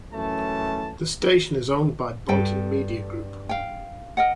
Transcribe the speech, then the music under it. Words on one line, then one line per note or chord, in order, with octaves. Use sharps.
The station is owned by Bonten Media Group.
F#2 E3 A3 C#4 A5
G2 A4 G5
F5 G5
A#4 D#5 F#5